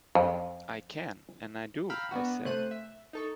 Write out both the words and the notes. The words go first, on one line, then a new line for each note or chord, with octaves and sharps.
"I can, and I do," I said.
F2
F5 G5 A#5 B5 E6 F6
B3 D4 F#4
C3 A3 C5 F#6 D#7
E5
D#4 A4 C#6